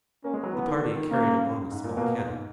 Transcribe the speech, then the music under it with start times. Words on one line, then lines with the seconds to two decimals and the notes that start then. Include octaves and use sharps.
The party carried along a small cannon.
0.24 A#3 C#4
0.34 G#3
0.44 F#3
0.53 E3 B3
0.67 D#3
0.82 D#3
0.97 D#3
1.10 C#3 A#3
1.71 G#2
1.84 A#2
1.97 B2 A#3
2.26 G#2